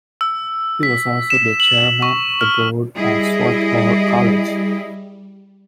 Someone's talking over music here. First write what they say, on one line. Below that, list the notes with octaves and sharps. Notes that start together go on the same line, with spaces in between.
He was also the chairman of the board at Swarthmore College.
E6
B6
E7
F#7
C#6
F6
G3 E4 G#4 D#5